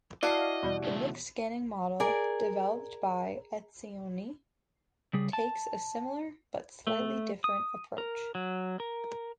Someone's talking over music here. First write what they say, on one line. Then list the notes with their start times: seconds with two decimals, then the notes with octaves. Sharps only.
The mixed scanning model, developed by Etzioni, takes a similar, but slightly different approach.
0.23 E4 F#4 D5 D#5 F5 A5
0.63 E2 B2 G3
0.84 C#3 A3
2.00 G#4 A#4 D5
5.13 C#3 G3 G#4
5.33 A5
6.87 A3
7.44 D#6
7.98 A#4
8.35 F#3
8.80 A#4